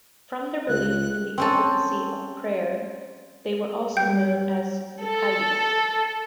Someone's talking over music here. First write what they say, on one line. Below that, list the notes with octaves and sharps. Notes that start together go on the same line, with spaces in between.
From their belief in the efficacy of prayer, they were also known as Euchites.
C#2 F#6
C4 C#4 A4
G3 G5 G6
A4